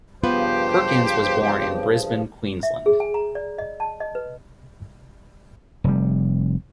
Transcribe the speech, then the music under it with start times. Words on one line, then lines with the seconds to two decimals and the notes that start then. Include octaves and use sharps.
Perkins was born in Brisbane, Queensland.
0.23 G2 C#3 F3 B3 F4 G4 B4 C5
2.63 E5
2.86 G#4
3.00 G#5
3.14 A#5
3.35 D5
3.58 D#5
3.80 A5
4.00 D#5
4.15 B4
5.84 F1 G3